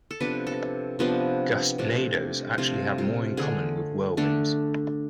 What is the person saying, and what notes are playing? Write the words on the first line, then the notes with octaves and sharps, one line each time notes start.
Gustnadoes actually have more in common with whirlwinds.
A4
C3 F3 B3 D4 B4
A4
C3 F3 B3 D4
C3 F3 A3 D4
C3 F3 A3 D4 F4
F4
D3 A3 D4 G#4
D3 A3 D4